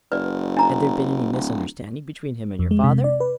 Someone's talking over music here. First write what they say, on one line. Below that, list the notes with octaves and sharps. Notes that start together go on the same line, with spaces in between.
"Had there been any misunderstanding between him and your father?"
F#1 B4 D5
D4 A#5
D1
F2
G#3
C3
D5
B4